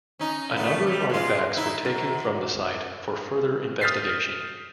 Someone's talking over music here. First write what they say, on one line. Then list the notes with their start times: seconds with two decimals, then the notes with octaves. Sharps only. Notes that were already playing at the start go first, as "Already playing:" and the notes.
A number of artifacts were taken from the site for further investigation.
0.19 C#4 D#4
0.57 A3 B3
0.87 G3
1.10 G#3 F4
1.57 D#4 E4
1.85 F#2
3.81 D#6 F6 G6 A6 B6 C7